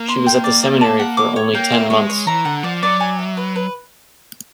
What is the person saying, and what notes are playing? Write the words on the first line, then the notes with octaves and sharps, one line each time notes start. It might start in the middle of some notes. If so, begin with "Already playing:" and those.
She was at the seminary for only ten months.
Already playing: A#3
C6
G5
D5
D5
A5
F#5
D6
C#5
A#3 G5
E5
G#3 C#5
C#5
E3 A#5
D3 F#5
F3 D5
F#3 D5
G#5
E5
B4
B4